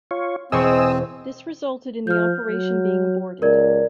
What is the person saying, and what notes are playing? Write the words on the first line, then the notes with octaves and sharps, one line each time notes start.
This resulted in the operation being aborted.
F4 C#5
E1 C4 G#4 C5 D#5 C#6 E6
F3 F6 G6
F#3
C#2 A#4 D5 G#6